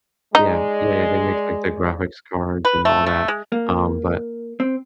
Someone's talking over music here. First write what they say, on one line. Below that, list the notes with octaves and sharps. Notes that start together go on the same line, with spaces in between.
Yeah, yeah, yeah, they make, like, the graphics cards, and all that, um, but
G#3 D#4 D5
B4
A3
A3
G#3
A#3
C4